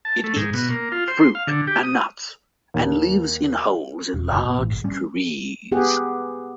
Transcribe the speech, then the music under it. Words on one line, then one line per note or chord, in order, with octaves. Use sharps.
It eats fruit and nuts and lives in holes in large trees.
A5
A3
G#2
B2
A#3
F4
C5
C6
F5
D3
G4
D#6
D#2
E1
F#1
B2
A1
G#1
G3 C#4
B3 G4 G#4 F#5